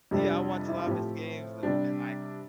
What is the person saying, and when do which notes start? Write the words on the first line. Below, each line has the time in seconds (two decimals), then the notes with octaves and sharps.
Yeah, I watched a lot of his games though, and, like,
0.11 F2 C3 G3 D4 G4
0.68 E4
0.78 F4
0.87 A2 F3 C4 G4
1.63 C3 G3 D4 G4